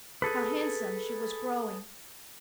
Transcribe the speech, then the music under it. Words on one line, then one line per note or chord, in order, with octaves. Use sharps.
How handsome she was growing!
G#4 A4 B4